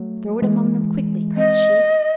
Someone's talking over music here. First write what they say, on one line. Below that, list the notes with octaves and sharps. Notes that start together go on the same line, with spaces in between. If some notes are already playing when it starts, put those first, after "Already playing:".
"Throw it among them quickly!" cried she.
Already playing: F#3 A3
E3 G#3
G#3 C4 D#5